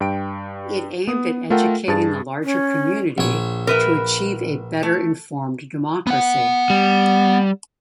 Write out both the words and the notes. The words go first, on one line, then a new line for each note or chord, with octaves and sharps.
It aimed at educating the larger community to achieve a better informed democracy.
G2 G5 D7
B3 D#6
A3 F4 A4 A#4 F#5 G5
G2 G#4 A5 A6
C#4
A#1 C#5
A#4 B4 E5
A3
B3 F#5
G3